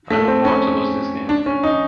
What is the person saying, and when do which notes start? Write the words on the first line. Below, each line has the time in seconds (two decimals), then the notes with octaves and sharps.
I don't want to lose this game.
0.10 A3
0.28 C4
0.45 C#4
1.29 D4
1.46 C#4
1.63 D#4